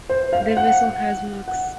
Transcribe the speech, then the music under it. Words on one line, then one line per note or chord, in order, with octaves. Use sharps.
The vessel has max.
C5
F5
F#5
F#5